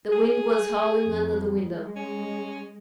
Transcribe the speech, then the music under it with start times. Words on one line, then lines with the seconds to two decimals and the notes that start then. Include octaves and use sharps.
The wind was howling under the window.
0.12 G#4
1.05 F2
1.63 G#3
1.96 C#4